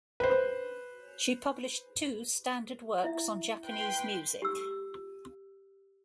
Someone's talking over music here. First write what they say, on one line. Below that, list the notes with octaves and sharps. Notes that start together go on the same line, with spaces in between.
She published two standard works on Japanese music.
B4 C5
E4 E5
B4 G5 C6
G4 E6